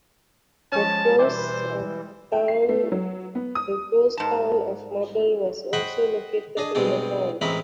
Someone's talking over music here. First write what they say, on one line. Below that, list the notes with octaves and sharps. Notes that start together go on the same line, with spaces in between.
The ghost town of Marble was also located in the town.
F3 G#3 C#4 C#5 G#5 A5
B2 E3 G3 C5 D5 D6
G3 G#3
G5
C7
A3
F#3
B3
D#6
G#2 A5
C5 D#5 F#5 G5 B5 C#6
D4 G#4 D#5
G2 B2 G#3 C4 G#4 G5
A1 G#3 C4 E4 A#4 B5